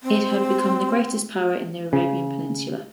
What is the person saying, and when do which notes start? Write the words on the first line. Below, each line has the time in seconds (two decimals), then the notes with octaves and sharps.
It had become the greatest power in the Arabian peninsula.
0.03 C4
1.93 C#3